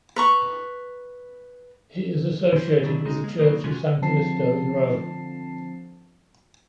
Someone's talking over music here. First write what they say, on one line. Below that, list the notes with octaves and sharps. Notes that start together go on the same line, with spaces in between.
He is associated with the church of San Callisto in Rome.
B4 A#5 C#6
E3 C5
D#3 F#3 D4 E4
G#3 D#4 F#4
G#3 A#3
C#3 F#3 G3 A#3 C4 D#4
C3 G#3 C#4 F4 F#4
D3 F3 C4 A5 C7